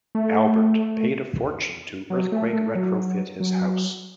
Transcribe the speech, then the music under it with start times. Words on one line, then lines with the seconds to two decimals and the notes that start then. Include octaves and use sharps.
Albert paid a fortune to earthquake retrofit his house.
0.15 A3
2.10 F#3
2.32 A3
2.53 A3
2.75 F#3
3.40 F#3